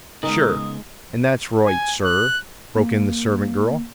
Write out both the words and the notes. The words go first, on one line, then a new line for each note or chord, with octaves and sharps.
"Sure, and that's roight, sur," broke in the servant girl.
C#3 G#3 B3 D#4 A#4 D#6
G#5
F#6
A#3